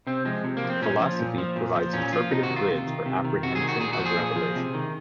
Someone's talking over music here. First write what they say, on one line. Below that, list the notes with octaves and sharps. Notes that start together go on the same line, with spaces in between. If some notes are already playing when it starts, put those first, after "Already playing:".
Philosophy provides interpretive grids for apprehension of revelation.
C3 C4
F3 G#3
C3
A#3
F3
C4
A#2 C#4
F3
A#2
F3
A#2
F3
A#2 C#4
F3 F4
C3 D#4
F#4
D#3
F4
C3
D#3
C3
D#3
C3 F#4
G#4
D#3
F#4
A#2 G#4
F#4
F3
G#4
A#2
F3
C3
D#3